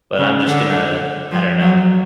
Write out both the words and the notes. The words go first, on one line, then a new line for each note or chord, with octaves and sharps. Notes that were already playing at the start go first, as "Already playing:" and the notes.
but I'm just gonna, I don't know
C#3
D3
F3
F#3